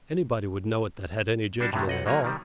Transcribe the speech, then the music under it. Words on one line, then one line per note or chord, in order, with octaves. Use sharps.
Anybody would know it that had any jedgment at all.
G3 D4 F#4 A5
A2 C3 F#3 G#3 A3
B1 D#5 F#5
F#3 A#3 G#5 A#5
D#3 G3